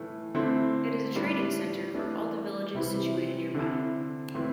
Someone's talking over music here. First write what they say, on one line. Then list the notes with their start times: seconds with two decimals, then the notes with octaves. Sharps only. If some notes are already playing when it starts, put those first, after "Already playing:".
It is a trading center for all the villages situated nearby.
Already playing: A2 E3 A3
0.34 D3 A3 C4 E4
1.15 A2 G3 D4
1.94 E3 A3 D4
2.75 C3 E3 G3 C4 E4
3.54 D3 C4 E4
4.34 A2 E3 C4 E4